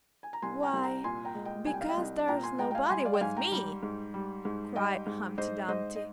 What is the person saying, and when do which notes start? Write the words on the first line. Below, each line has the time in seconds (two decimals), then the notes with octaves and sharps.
'Why, because there's nobody with me!' cried Humpty Dumpty.
0.23 G#5
0.33 A#5
0.42 C2 G#5 C6
0.63 G5 A#5
0.73 C2
0.84 G5 A#5
1.04 A#2 G#5 C6
1.25 G5 A#5
1.35 G#3
1.45 D#5 G5
1.66 C2 G#5
1.73 G5
1.81 F5
1.88 D#5 G5
1.97 C2
2.28 A#2 G5 A#5
2.43 G#5 C6
2.59 G#3 G5 A#5
2.71 G5
2.75 F5 G#5
2.90 G3 G#5 C6
3.05 D5 F5
3.13 G5
3.21 G#2 F5 G#5
3.37 G5 A#5
3.52 G3
3.83 G#2
4.14 G3
4.45 G#2
4.75 G3 D#5 G5
5.07 G#2
5.38 G#2 C5 D#5
5.68 G#2 C5 D#5
5.96 D#5